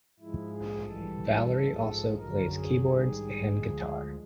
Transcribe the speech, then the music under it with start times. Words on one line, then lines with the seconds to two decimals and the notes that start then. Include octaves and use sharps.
Valory also plays keyboards and guitar.
0.19 G#2 F3 G#3 E4
0.52 G#4
0.86 G2 E3 G3 A4
1.52 G#2 F3 G#3
2.18 F#2 D3 F#3 A#4
2.51 G#4
2.84 G#2 D#3 G3 G#4
3.50 D2 D3 F3 G#3